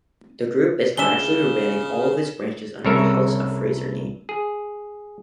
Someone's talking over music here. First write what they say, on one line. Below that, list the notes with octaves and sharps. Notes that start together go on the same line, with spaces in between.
The group is gradually rebranding all its branches under the House of Fraser name.
C#3 G#3 D4 E5 E7 G7
C2 C#3 A4 A#4 C#5 E5
G#4